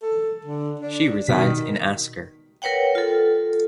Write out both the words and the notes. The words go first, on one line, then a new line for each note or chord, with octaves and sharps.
She resides in Asker.
A4
D3
D4
B2 D#3 B6
A#4 B4 C#5 F#5 G5
F4 A4